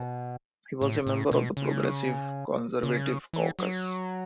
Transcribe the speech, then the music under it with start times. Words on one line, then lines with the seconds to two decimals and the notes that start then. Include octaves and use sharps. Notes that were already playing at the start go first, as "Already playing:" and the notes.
He was a member of the Progressive Conservative caucus.
Already playing: B2
0.81 A2
1.07 A2
1.32 B2
1.57 C#3
2.83 C#3
3.33 E3
3.59 F#3